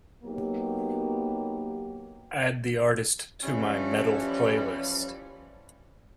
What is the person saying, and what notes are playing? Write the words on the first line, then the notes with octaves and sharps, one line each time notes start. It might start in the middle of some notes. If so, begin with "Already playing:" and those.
Add the artist to my Metal playlist.
F#3 A#3 B3 D#4 G4
E3 F3 G3 C#4